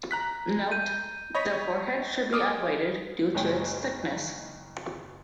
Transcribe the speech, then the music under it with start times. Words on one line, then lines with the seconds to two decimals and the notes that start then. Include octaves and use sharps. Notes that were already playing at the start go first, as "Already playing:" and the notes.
Note: The forehead should be avoided due to its thickness.
0.11 A#5 F#6 B6
0.72 G6 D#7
1.35 C#5 D#5 B5 B6
2.33 D6 D#6 F6
3.35 F#1 G#3 C#5 G5 G#5